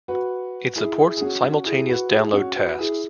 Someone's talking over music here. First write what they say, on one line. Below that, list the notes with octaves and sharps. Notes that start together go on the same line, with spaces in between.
It supports simultaneous download tasks.
F#4 B4
E4 G#4
E4 G#4
G#4
C#4 F#4
C#4 F#4
E4 G#4
F#4 B4
E4 G#4
C#4 F#4
F#4 B4
E4 G#4